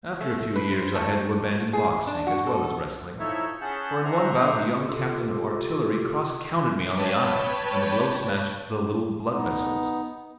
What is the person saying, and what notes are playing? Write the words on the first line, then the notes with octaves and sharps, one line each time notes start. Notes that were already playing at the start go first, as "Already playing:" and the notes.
After a few years I had to abandon boxing as well as wrestling, for in one bout a young captain of artillery cross-countered me on the eye, and the blow smashed the little blood-vessels.
A3
B4
C5
A3
G#4
D4
F#4
A4
F3 D#4 E4 A4 C#5 E5
C#4 G#4 F#5 A5 B5 G6
C4 D4 C5 E5 F#5 A#5
C3 F4 G4 A4
B4 C#5 G5 A5
B3 D#4